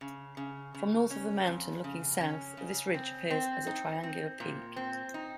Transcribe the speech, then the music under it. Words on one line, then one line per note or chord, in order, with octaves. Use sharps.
From north of the mountain, looking south, this ridge appears as a triangular peak.
C#3
C#3
C#3
C#4
F2
C#3
C#4
C#3
C4
C4
D#4
C4
A#2
C4
D#4